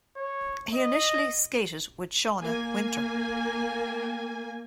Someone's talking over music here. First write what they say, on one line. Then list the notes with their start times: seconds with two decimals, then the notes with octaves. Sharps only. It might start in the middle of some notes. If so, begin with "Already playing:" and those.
He initially skated with Shawna Winter.
0.17 C#5
0.74 D#5
2.41 A#3 G#5